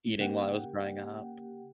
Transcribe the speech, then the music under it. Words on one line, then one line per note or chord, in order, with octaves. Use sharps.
eating while I was growing up."
C#3 A#3 G4 F#5 G5